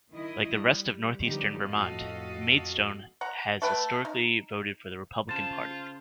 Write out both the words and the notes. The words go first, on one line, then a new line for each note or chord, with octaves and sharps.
Like the rest of northeastern Vermont, Maidstone has historically voted for the Republican Party.
D#3 E4 D#5
G3
D3 F3 G3 B3 D#4 G4
F2 A2 F#4 A4 D#5 F5
F#5 A#5
A3 B4 G5
D#4
C#3 F4 C5 A5 A6